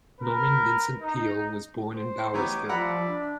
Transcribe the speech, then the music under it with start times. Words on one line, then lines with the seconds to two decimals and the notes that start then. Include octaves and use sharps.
Norman Vincent Peale was born in Bowersville.
0.20 A#4 B4
1.00 D#4
1.94 C5
2.34 E3 B3 D#4 G4 C#5 D6
2.69 F3 G3 D5 E5 F#5 A#5 B5
3.07 D4